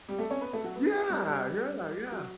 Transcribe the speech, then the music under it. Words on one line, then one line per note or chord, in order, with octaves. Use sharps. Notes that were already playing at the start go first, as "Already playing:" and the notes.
Yeah, yeah, yeah.
G3 G4
A3 A4
C#4 C#5
B3 B4
A3 A4
F#3 F#4
B3
G3 G4
G3 G4
F#3 F#4